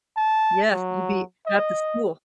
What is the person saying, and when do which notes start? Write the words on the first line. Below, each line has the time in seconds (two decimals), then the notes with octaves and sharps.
Yes, you'd be at the school.
0.17 A5
0.72 F#3
1.46 D#5